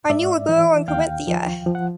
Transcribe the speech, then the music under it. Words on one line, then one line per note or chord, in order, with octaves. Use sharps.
I knew a girl in Carinthia.
G#2 D5 E5
E3
D#2 F5 G5
F3
F3
F#5